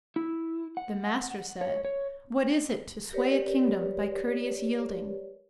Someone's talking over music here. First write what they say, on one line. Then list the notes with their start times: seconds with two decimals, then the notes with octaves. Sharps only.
The Master said, What is it to sway a kingdom by courteous yielding?
0.16 E4
0.77 F#5
1.61 C#5
1.85 C#5
3.13 G4 A#4 B4 C#5 D5